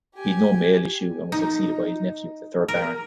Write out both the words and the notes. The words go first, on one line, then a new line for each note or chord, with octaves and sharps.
He had no male issue and was succeeded by his nephew, the third Baron.
G4 G#5
D#4
A#4